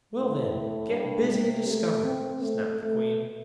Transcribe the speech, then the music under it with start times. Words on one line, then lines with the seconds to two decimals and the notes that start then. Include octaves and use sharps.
"Well, then, get busy and discover it," snapped the Queen.
0.16 A2
0.91 G2
1.29 C3
1.67 A3
2.04 C4
2.41 A3
2.80 A3